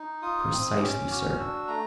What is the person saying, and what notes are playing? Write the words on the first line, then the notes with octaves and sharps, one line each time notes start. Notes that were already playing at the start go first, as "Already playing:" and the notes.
"Precisely, sir."
Already playing: D#4
F4 D#6
C4
C#4 D6
F#4 F6
D4 E6
A3 A#5